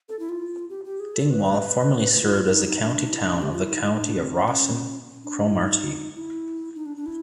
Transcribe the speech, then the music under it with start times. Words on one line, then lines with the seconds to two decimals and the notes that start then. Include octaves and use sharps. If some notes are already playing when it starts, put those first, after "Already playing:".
Dingwall formerly served as the county town of the county of Ross and Cromarty.
0.09 A4
0.19 E4
0.29 F4
0.70 G4
0.85 G4
1.00 G#4
1.15 A4
1.30 B4
2.21 F4
2.51 D#4
2.67 D#4
2.82 D4
3.07 D#4
3.12 E4
3.22 D4
3.32 C#4
3.42 G4
3.52 F4
3.62 E4
3.73 D#4
3.83 D#4
3.93 D#4
4.03 D4
4.18 C4
4.33 C#4
4.48 C#4
5.24 D4
5.47 E4
5.54 D#4
6.15 E4
6.75 D#4
6.86 D4
6.97 D4
7.06 E4